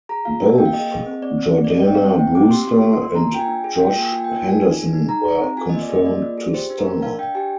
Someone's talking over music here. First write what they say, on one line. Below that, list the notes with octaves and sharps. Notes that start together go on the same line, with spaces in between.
Both Jordana Brewster and Josh Henderson were confirmed to star.
G#4 A#5
F4 F5
A#3
A#3 G5
F5
G#4 D#5
G#4
C4
C4 D5
C4
C4
D5
G4 D#5
C4 G5
F5
C4
C4 G5
C4 D6
G4 C6
F4 C6
F4
C6
A#3
A#3 A#5
F4 G5
G#5
D4
G#4
G5
F4
G5
A#3 G#5
F4 G#5
A#3 G5
F4 G#5
D#4
G#4
D#4
D#4 A#5
G#4
C4
F4 G#5
A#3 D#5
D5
G#4 D#5
A#3 D5
F4
G#4
G4 C5
D4
A#4
D4
D4 F5
D4 G5
G4 G#5